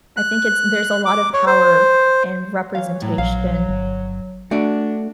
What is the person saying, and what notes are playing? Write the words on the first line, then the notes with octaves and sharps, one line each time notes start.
I think it's there's a lot of power and representation,
F#6
D6
C#5
C5
E3 C#5 F5
A2 F#3
A#1 F5
G1
A3 D4 F#4 D5